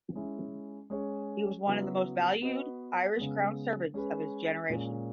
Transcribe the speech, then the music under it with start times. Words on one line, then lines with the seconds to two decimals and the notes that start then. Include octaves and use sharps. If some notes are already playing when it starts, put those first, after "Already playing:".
He was one of the most valued Irish Crown servants of his generation.
0.15 G#3 C#4 E4
0.90 G#3 C#4 G#4 C#5
1.67 C#3 F#3 B3 E4
2.42 B3 F#4 B4 D#5
3.17 C#3 G#3 B3
3.94 G#3 C#4 G#4 B4
4.69 A#2 G#3 C#4